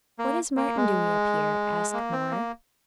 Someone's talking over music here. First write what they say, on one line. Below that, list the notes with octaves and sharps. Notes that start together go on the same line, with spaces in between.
"What is Martin doing up here?" asked Moore.
A#3
A#3
G#3
A#3
C4
A#3